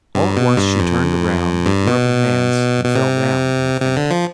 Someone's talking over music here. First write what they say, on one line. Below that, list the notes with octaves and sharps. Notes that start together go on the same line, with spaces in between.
All at once she turned round, threw up her hands, and fell down in a faint.
G2
B2
G2
F2
G2
B2
B2
C3
C3
D3
F3